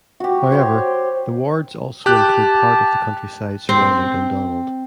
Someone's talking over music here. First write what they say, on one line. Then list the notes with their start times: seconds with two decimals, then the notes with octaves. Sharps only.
However, the wards also include part of the countryside surrounding Dundonald.
0.20 F#4 G4
0.51 C5 C#5 G5 C6
2.06 G4 A5 F#6
3.69 C4